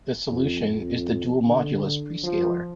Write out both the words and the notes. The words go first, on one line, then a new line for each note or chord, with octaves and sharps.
The solution is the dual modulus prescaler.
F2
F2
D3
F3